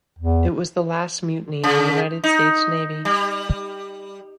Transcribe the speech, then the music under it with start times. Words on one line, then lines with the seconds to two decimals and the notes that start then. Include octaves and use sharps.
It was the last mutiny in the United States Navy.
0.19 E2
1.64 C#3
2.24 D#4
3.05 G3